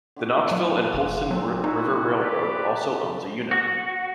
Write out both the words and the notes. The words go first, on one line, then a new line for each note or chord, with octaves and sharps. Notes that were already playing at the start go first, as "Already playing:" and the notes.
The Knoxville and Holston River Railroad also owns a unit.
D3 A3 G4
F#3 C#6
F#1 G#3 A#3
A#2 F#3 C4
D#4 E4 F#4
G4 B4 D5
F#4